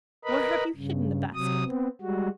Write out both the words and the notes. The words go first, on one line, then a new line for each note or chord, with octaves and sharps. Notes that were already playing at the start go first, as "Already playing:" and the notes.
'Where have you hidden the basket?
A#4 B4 D#5 B5
G2 C#3
C3 F#3 D#6
B3 C4
G3 G#3 F#4